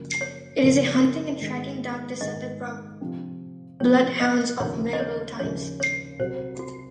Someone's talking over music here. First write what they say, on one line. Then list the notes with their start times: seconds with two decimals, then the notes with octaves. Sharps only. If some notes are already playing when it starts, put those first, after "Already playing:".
It is a hunting and tracking dog descended from bloodhounds of medieval times.
Already playing: F#1 F#2 F3 A#3
0.21 C#5
0.61 F#1 F#2 F3 A#3
1.41 G#2 D#3 G#3
2.21 G#2 D#3 G#3 D#5
3.01 C3 F3 C4
3.80 C3 F3 C4 C#5
4.20 D#5
4.60 D#2 C#3 F3 C#5
4.93 D#5
5.00 C#5
5.40 D#2 C#3 F3 C#5
5.80 C#5
6.19 C2 C3 F#3 C5
6.59 F#4